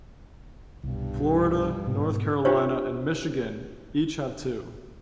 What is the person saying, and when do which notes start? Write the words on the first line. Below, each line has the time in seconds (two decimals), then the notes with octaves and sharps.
Florida, North Carolina, and Michigan each have two.
0.83 C2 G2 B2
1.87 G#2 B2
2.45 D4 F4 G4 C5 C#5